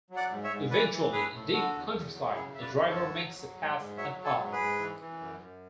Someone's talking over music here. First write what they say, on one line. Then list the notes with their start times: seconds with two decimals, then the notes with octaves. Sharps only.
Eventually, in deep countryside, a driver makes a pass at her.
0.10 F#3
0.16 D5 F#5
0.30 G#2
0.44 C#5 E5
0.51 G#2
0.71 E3 B4 D5
0.92 E3
1.12 A2 G#4 B4
1.32 A2
1.53 D3 F#4 A4
1.74 E2
1.93 E2
2.13 F#3
2.34 C#3 E4 G#4
2.54 F#2 E5
2.61 B4 D5
2.75 F#2
2.89 A4 C#5
2.96 F#3
3.16 F#3
3.36 F#3
3.57 G#2
3.77 G#2
3.97 F#3 C#5 E5
4.19 F#3
4.25 A4 C#5
4.38 G#2
4.52 G#4 B4
4.59 G#2
4.79 E3
4.99 E3
5.20 F#2
5.40 F#2